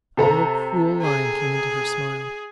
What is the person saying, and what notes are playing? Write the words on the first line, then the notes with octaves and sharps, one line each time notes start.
A little cruel line came into her smile.
C3 A4 A#5
G#4